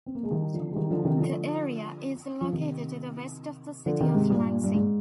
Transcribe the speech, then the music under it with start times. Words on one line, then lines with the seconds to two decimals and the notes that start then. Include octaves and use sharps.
The area is located to the west of the city of Lansing.
0.06 C4
0.15 A#3
0.23 G#3
0.31 D#3 G3
0.53 D3 F3
0.71 G#3
0.75 D#3 G3
0.91 D3 F3
1.05 C3 D#3
1.20 D3 F3
2.41 F3
2.53 C3 D#3
3.86 D3 F3
4.01 C3 D#3
4.15 G#2 C3
4.30 G2 A#2
4.64 G2
4.74 G#2